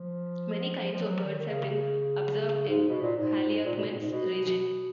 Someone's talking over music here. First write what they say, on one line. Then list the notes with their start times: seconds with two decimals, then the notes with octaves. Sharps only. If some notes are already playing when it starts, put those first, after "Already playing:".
Many kinds of birds have been observed in Haliakmon's region.
Already playing: F3
0.75 F3
0.92 F3
1.00 F#3
1.23 D#3
1.38 D#3
1.48 C#3
1.72 C#3
2.67 G#2
2.88 B2
3.02 A#2
3.16 G#2
3.64 A#2
3.76 B2
3.88 A#2
3.99 G#2
4.11 B2